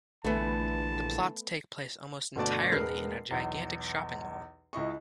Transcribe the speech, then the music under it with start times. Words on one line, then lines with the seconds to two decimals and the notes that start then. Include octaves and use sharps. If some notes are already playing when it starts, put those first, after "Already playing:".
The plots take place almost entirely in a gigantic shopping mall.
0.24 A#1 D3 E3 A3 B3 A5
2.36 G1 B2 A3 F#4 D5 A5
2.72 E1 G#3 A#4 B4 F6 C7
3.31 B1 E2
4.73 C#2 E4 D#5 C#6